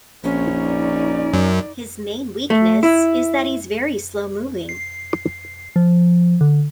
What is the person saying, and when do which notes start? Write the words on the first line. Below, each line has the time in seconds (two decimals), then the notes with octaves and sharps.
His main weakness is that he's very slow moving.
0.24 A#1 C4 C#4
0.56 D#4 D5
1.34 F#2
2.50 A3
2.83 E4
4.69 C7
5.76 F3
6.41 D3